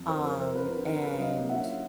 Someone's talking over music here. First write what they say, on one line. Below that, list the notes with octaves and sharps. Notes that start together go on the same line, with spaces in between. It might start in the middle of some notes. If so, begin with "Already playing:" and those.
um, and
Already playing: F2
A#4 C5
F2
A#4 C5
F2
A#4 C5
F2 B4
A#4
D3
A#4
D3 B4
F#3 D#5 F5
A#3
E5 F#5
C#4